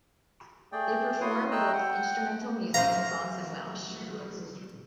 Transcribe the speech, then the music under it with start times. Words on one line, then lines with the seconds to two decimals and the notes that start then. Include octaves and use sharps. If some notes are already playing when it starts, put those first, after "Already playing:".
They perform both instrumental music and songs in Welsh.
0.72 A3 G#4 D5 G5
1.21 E4 F#4 B4 C#5 C6 D#6
1.51 A3 D#5 G5 A#5 E6 F#6
1.73 F#5 G5
2.74 F#2 C5 F5 A#5